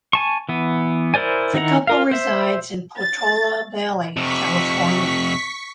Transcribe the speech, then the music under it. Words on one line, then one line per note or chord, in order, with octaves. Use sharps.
The couple resides in Portola Valley, California.
G#5 A5 C#6
E3 B3
E4 A#4 C5 D5 G#5
D#3 D#4 E4 F#5 A#5
F4 A#4 F5
C5 E5
A6
F2 C3 C#6 B6